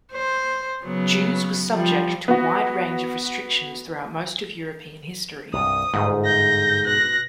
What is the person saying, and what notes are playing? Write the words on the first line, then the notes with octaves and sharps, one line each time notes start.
Jews were subject to a wide range of restrictions throughout most of European history.
C5
C#3 F#3 B3
F3 G3
B3 F#4
C2 G2 D#6
G1 G#2
G6 A#6
B2 F#6 A#6